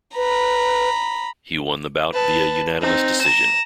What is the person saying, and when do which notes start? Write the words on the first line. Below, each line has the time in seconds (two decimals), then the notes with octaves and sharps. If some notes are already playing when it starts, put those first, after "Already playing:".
He won the bout via unanimous decision.
0.16 B4 A#5 B5
2.13 B4 A5
2.81 C4 D#4
3.21 A#5 E7